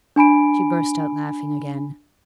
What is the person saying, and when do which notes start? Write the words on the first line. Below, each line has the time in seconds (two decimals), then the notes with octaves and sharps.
She burst out laughing again.
0.16 D4 G#5 B5 D7